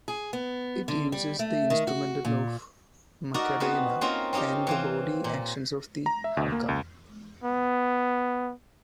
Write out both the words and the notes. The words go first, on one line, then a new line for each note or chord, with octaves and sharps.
It uses the instrumental of "makarena" and the body actions of the haka.
G#4
B3
D3
G3
A3
D#3
F#4
A#2
D#4 F#4 A#4 D5
B3 C4 F#4 B4
A#3 C4 C#4 D#4 F4 A#4
C4 C#4 D#4 F4 G4
E3 C4 F4
A#2
A#5
E5
D2
A#3
C#2
B3